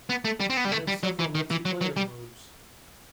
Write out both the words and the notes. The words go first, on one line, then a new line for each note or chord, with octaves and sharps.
It has several multiplayer modes.
B3
A3
G3
C4
B3
G3
A3
G3
F#3
E3
D#3
E3
F#3
F#3
G3